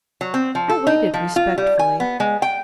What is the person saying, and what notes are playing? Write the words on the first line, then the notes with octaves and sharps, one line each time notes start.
I waited respectfully.
F#3
C4
F3
A4
D#4
F3
F4
G3
G#5
B3
G#3
G5